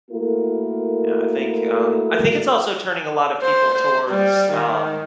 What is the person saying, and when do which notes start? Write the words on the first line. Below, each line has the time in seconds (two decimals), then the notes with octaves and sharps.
Yeah, I think, um I think it's also turning a lot of people towards, um
0.11 A3 A#3 E4 F#4 A4 A#4
3.42 C5
3.74 C5
4.10 G3
4.52 D#3